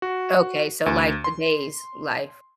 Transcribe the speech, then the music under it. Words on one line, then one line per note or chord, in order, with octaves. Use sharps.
Okay, so, like, today's life?
F#4
D2
C6